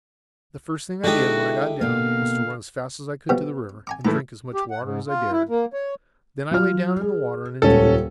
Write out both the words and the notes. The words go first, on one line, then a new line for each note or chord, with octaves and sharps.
The first thing I did when I got down was to run as fast as I could to the river and drink as much water as I dared, then I lay down in the water and enjoyed it.
D3 G#3 D#4 E4 F#4 G4
B2 A#3 F5
B2 F3 G3
G#5 A#5 D6
A2 E3 A3 A#5
G4
F#5
G#2
F4
E4
A#3
C#5
F#3 F4 F6
G#4
D#1 C#2 C#4 A4